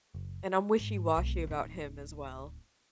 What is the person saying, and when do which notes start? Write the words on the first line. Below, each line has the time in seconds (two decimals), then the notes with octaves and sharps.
and I'm wishy-washy about him as well.
0.15 F#1
0.78 G#2
1.17 B1 G#3
1.47 D1 D#4